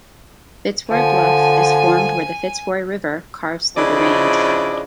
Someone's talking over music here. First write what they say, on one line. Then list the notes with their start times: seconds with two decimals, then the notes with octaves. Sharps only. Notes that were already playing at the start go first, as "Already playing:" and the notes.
Fitzroy Bluff is formed where the Fitzroy River carves through the range.
0.91 D3 F3 G#5
3.76 C#3 F3 D4 E4 D5 D#5